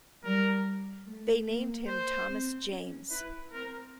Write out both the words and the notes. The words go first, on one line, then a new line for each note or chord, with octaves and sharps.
They named him Thomas James.
G3 A#4
A3
A#3
C5
C4
C#4
E4 B4
C4 A#4